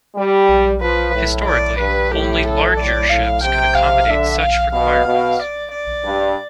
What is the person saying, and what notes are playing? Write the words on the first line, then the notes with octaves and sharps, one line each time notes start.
Historically, only larger ships could accommodate such requirements.
G3
F3 B4
A2
D5
G2 B4
A2 G4
A4
A2 D5
A2 F5
C3 G5
F5
D3 E5
F5
B2 F5
B2
D5
D5
G2